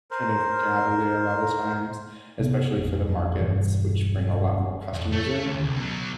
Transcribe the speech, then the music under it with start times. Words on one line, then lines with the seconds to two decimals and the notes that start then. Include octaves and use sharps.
kind of gather there a lot of times, especially for the markets, which bring a lot more customers in,
0.11 A#4 C5
2.39 C3 B3
2.76 A#1 F2 A#2
3.39 E1 G2 E3
4.93 F2
5.12 A3
5.46 D2
5.63 C2
5.75 B2 F#3